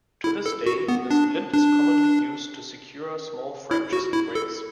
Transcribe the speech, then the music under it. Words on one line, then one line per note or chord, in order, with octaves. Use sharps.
To this day, the splint is commonly used to secure small fractures and breaks.
E4
A4
F#4
B3
D4
D4
E4
F#4
E4
A4